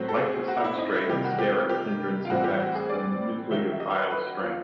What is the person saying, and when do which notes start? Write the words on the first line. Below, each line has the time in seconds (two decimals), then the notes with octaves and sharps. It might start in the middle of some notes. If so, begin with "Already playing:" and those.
Like the substrate, steric hindrance affects the nucleophile's strength.
Already playing: A2 F#3 A3 C4
0.09 A4
0.18 G#4
0.48 F#4
0.64 E4
0.78 D#4
0.94 E4
1.09 C3 D#3 G3 A#3 G4
1.24 F#4
1.39 G4
1.69 G4
2.25 F4
2.29 A2 E3 G3 C4 F#4
2.44 G4
2.60 F#4
2.75 G#4
2.89 D5
3.50 D#3 F#3 A#3 C#4 E5
3.72 E5
3.80 D#5
3.95 B4
4.11 B4
4.26 F#4
4.41 F4